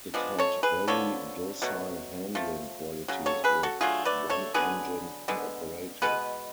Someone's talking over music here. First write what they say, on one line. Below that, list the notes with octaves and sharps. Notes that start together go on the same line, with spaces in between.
It had very docile handling qualities with one engine inoperative.
F3 G#3 B3 D4
A4 C#5
G#4 B4
D3 F3 B3 A4 C#5
B2 F#3 A3
F3 A3
C#3 F#3
A4 C#5
G#4 B4
F#4 A4
D3 F#3 A3 F4 G#4
B4 D5
A4 C#5
D3 F#3 B3 G#4 B4
D3 G#3 B3
B2 G#3 B3 B4